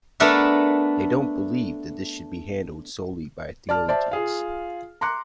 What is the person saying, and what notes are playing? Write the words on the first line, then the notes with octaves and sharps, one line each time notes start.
They don't believe that this should be handled solely by theologians.
A3 B3 D4 A#4 E5
D5 A5 F6
C5 D5 E5 A5
F4 G#4 F5
A#5 C6 D6 F#6 C#7